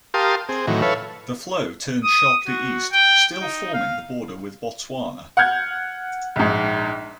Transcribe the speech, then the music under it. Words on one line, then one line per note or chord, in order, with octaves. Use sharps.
The flow turns sharply east, still forming the border with Botswana.
G4 A#4 F5 A5 C6 D#6
C4 G#4
A2 D#3 E3 F#3
A4 B4 C#5 E5 F5
D#6
F#4
G5
D#4
F5
F#5 F6 G6 G#6
A#1 G#2